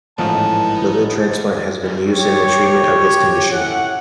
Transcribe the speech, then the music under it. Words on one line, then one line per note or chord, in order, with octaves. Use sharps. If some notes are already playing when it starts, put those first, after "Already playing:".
Liver transplant has been used in the treatment of this condition.
A1 G#2 F3 A3 B3 D#4 A5
G4 C#5
C#4 E4 A4 F#5